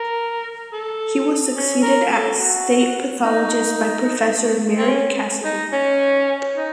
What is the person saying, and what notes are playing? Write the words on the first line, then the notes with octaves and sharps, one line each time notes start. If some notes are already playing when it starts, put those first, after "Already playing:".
He was succeeded as State Pathologist by Professor Marie Cassidy.
Already playing: A#4
A4
C#4
A#4
A4
F#4
D#4
C4
C#4
D#4
C#4
D#4